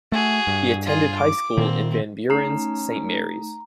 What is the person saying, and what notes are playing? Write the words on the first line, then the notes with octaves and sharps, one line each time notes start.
He attended High School in Van Buren's Saint Mary's.
A3 F#4 G#4
G2
F4 G#4
D6
A#2 D#3 C4
A3 C#4 D#4 A#5